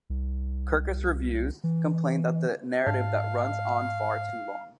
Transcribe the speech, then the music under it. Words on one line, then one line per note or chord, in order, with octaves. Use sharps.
Kirkus Reviews complained that the "narrative that runs on far too long".
C2
E3
G#2 F5 A5